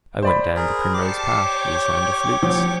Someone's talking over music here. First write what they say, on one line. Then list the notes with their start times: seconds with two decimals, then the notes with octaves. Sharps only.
I went down the primrose path to the sound of flutes.
0.22 C5 D5 B5
0.56 G#4 A#4
0.94 G4 A5 D6 C7 C#7
1.38 C#5 G5 C#6
2.42 F3 F#3 C4